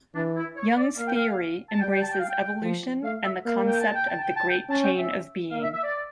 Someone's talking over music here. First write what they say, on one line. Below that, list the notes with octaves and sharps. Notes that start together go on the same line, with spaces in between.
Young's theory embraces evolution and the concept of the great chain of being.
E3 D4
E4
C#5
D5
A#3 F5
G5
F5
A5
G3 G5
G5
A5
G5
F5
G5
F3
A3 F5
E5
A#3 F5
G5
A5
G5
A5
G5
A5
G5
C#4 A5
G5
E5
A#3 F5
E5
E5
D5